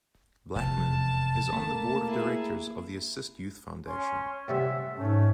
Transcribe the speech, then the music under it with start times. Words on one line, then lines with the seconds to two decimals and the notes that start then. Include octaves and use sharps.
Blackman is on the Board of Directors of the Assist Youth Foundation.
0.56 F1 E2 A5
1.52 A3 A#3
2.07 E4 G#4
3.87 C#4 C6
4.48 A2 C3 G3 E5 F#5
4.97 G#2 A3 C#4